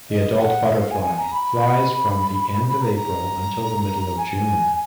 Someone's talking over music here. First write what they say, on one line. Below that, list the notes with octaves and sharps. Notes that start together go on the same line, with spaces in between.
The adult butterfly flies from the end of April until the middle of June.
D#5
F#5
F5
G#5
G#5
A#5
B5
B5
A#5
A#5
G#5